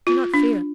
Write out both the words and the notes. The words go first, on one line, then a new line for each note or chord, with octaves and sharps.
Do not fear.
F4
D4